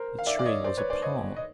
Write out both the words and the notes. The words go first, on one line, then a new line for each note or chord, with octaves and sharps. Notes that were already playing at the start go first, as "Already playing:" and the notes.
The tree was a palm.
Already playing: A#4 C5
F5
D5 E5
D5
C#5 D#5
C5 D5
B4 C#5
C5 D5
C#5 D#5
D#5